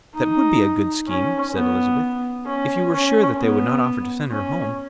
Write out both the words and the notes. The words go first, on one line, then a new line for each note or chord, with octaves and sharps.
"That would be a good scheme," said Elizabeth, "if you were sure that they would not offer to send her home."
D#4
C#4
B3
C#4
C#4
B3
C#4